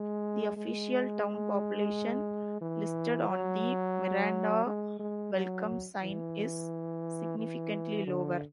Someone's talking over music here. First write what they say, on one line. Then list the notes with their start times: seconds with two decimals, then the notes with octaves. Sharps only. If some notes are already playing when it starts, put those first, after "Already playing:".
The official town population listed on the Miranda welcome sign is significantly lower.
Already playing: G#3
0.57 G#3
2.61 E3
3.30 F#3
4.66 G#3
4.99 G#3
5.34 F#3
6.02 E3
7.38 E3
8.07 D3